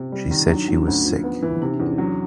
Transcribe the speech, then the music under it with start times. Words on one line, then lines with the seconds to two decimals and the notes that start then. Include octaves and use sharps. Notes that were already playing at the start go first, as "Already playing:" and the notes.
She said she was sick.
Already playing: C3
0.12 G3
0.31 D#3
0.49 F#3 D4
0.59 D#4
0.68 F#3 D4
0.78 C#4
0.87 D2 D4
1.05 F3
1.24 B3
1.42 E3
1.62 C3 D#4
1.74 D4
1.80 E2
1.86 C#4
1.98 F#3 D4